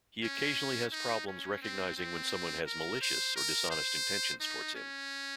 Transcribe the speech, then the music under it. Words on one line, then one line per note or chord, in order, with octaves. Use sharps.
He occasionally has problems recognizing when someone has malicious or dishonest intentions towards him.
C#4
D#4
C#4
C4
C4
A#4
C5
A#4
C5
D#4
C#4